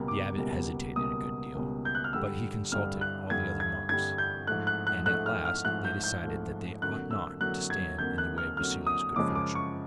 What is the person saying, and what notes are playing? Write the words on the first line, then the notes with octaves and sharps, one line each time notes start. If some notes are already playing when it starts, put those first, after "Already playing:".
The abbot hesitated a good deal, but he consulted all the other monks, and at last they decided that they ought not to stand in the way of Vassili's good fortune.
Already playing: C#2 B2 G3 A#3
D6
C#2 B2 G3 A#3
C#2 B2 G3 A#3 D#6
C#2 B2 G3 A#3
G6
F#6
F6
G2 D3 G3 E6
G2 D3 G3 F6
F#6
G2 D3 G3 G#6
G#6
G2 D3 G3 G#6
G6
G#2 F3 A3 F#6
F#6
F#6
G#2 F3 A3 F#6
F6
F6
G#2 F3 A3 F#6
G6
G6
G#2 F3 A3
F2 D3 F#3 A#3 F#6
E6
F2 D3 F#3 A#3 F#6
G#6
F2 D3 F#3 A#3 G6
F#6
F6
F2 D3 F#3 A#3 F6
D#6
F#2 C#3 F3 G#3 D6
D6
C#6